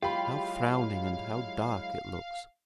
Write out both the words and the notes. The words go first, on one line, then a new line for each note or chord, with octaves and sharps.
How frowning and how dark it looks!'
F#3 G#3 E4 F4 G4 F5 B5